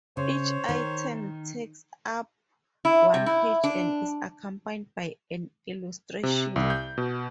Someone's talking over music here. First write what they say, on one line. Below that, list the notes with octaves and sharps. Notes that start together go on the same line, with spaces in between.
Each item takes up one page and is accompanied by an illustration.
C#3 C5 C#5
D#3
E4
C3
E4
D4
C3
C2
G6
B2